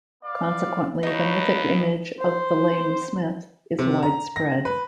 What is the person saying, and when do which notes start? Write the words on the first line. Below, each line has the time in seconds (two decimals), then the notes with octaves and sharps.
Consequently, the mythic image of the lame smith is widespread.
0.23 B3 D5 F5
1.03 D#2 D#4 B4 C#5
2.20 C5
3.79 C3
4.03 A#5
4.36 A#6
4.65 B4